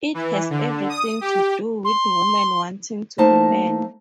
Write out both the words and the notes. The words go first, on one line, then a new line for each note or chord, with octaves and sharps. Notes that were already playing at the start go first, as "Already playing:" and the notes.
It has everything to do with women wanting to be men.
E3
D3
D#6
G4
C6
A3 A#3 D#4 C5 D#5 A5